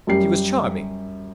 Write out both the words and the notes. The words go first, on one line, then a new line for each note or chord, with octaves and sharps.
She was charming.
F#2 G3 C7